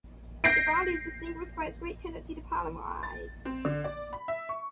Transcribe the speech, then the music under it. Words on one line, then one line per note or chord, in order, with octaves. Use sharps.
The body is distinguished by its great tendency to polymerize.
G6 A#6 C7 D7
A6
C4
D3
D5
B5
E5
C#6